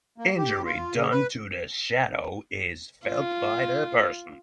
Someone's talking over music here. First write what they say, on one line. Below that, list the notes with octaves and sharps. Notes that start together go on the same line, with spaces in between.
Injury done to the shadow is felt by the person.
A#3
G4
F4
C#3
B4
F4